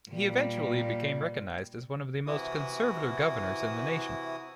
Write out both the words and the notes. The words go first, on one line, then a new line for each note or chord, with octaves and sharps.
He eventually became recognized as one of the most conservative governors in the nation.
A#2 G3
C3 E3 E4 F#4 D#6